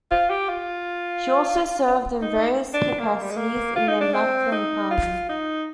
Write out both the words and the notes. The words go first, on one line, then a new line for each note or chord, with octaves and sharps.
She also served in various capacities in the Mapam Party.
F4
G4
F4
D#4
D4
A#3
G3
G#3
A#3
F4
D#4
D4
C4
D#4
F4
D#4